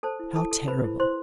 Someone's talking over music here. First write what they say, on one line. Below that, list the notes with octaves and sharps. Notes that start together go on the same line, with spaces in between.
How terrible!
A4 C5 A5
E4
E4 A4 A5
A4
B4 C5 B5
E4
E4 C5 C6